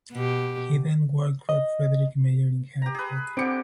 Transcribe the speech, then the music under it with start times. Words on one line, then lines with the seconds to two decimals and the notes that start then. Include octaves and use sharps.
He then worked for Friedrich Meyer in Herford.
0.12 B2 G4
1.49 D#5
2.82 G4 A#5
2.94 G#4 B4
3.37 D3 C4 G4 D6 C#7